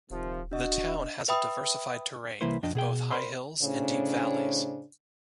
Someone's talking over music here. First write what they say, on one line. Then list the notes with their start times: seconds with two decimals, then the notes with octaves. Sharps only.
The town has a diversified terrain, with both high hills and deep valleys.
0.10 D#1 C3 D#3 F3
0.52 D4 F#4 D#5
1.28 B4 E5 G5 B5 D#6
2.41 C2 E3 A#3 E4 B4 C5
2.63 F2 D4 D#5 G5
2.75 B2 G#4 G5
3.11 A#4 C5 D5 B5 C6
3.62 A2 C#3 C#4 D4 C5